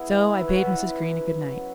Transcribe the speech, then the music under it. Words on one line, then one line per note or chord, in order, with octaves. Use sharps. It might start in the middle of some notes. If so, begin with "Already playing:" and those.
So, I bade Mrs. Green a good night.
Already playing: B3 E4 G#4
E3
E4 B4 E5
C#5 F#5
E3
B4 E5
C#4
F#2
F#2
F#3